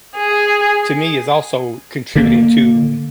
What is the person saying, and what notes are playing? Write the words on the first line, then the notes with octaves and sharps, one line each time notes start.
to me is also contributing to,
G#4
D3 A#3